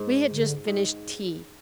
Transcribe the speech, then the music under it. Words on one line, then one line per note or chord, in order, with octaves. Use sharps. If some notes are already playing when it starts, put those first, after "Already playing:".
We had just finished tea.
Already playing: G#2
D3
G#2